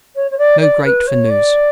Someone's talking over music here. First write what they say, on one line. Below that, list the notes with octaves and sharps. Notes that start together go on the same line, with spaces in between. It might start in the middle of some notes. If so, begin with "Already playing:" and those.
No great for news.
C#5
C#5
D5
D5
B4
C#5
D5